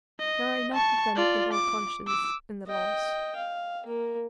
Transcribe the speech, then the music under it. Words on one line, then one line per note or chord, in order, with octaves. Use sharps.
There are enough of them in all conscience in the laws.
D#5
A5 C#6
F4 D5
D6
D6 E6
D#5 G5
F5
A#3 A#4